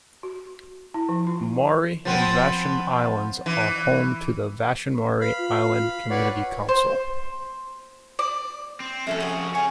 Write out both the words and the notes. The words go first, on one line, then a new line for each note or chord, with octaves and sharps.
Maury and Vashon Islands are home to the "Vashon-Maury Island Community Council".
F#4
E4
F3
F4
F3 B3 C4
E3
B4 F5 B5
F4
B4 C#5 D5 F#5
C5
D5
C4
F2 A3 C#4 F#4 A4
F#4 G#4
G#4 C#5 G#5